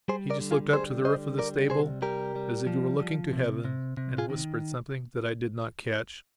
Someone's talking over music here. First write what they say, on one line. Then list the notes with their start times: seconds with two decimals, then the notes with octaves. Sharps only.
He just looked up to the roof of the stable, as if he were looking to Heaven, and whispered something that I did not catch.
0.08 G3 G#4 C5
0.30 A#4 D5
0.40 D3
0.51 F4 G#4
0.73 G3 G#4 C5
1.05 D3 C5 D#5
1.38 G3 A#4 D5
1.70 C3 G#4 C5
2.02 G3 G4 A#4
2.36 G3
2.67 F3
2.99 F3
3.33 C3
3.65 C3
3.97 C3
4.18 F4 G#4
4.30 D#3